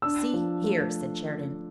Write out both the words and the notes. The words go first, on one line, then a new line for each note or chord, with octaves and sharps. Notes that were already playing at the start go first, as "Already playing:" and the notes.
"See here!" said Sheridan.
D4 E6
F3
A3